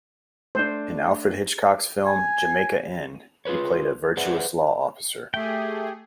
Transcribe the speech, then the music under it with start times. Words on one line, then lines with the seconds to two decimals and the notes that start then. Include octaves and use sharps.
In Alfred Hitchcock's film "Jamaica Inn", he played a virtuous law officer.
0.55 A3 D4 C5
2.06 G#5
3.45 F4 G#4 B4 C#5
4.17 G#4 B4 C5 D5 E5 F#5
5.34 A3 G4 G#4 E5 G5